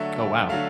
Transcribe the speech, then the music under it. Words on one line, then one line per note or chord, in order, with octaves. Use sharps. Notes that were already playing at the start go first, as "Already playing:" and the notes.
Oh, wow.
Already playing: D3 F#3 A3 E5
D3 F#3 A3 F5